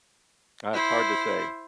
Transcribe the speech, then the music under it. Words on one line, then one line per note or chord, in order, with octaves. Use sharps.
ah, it's hard to say
E4 C5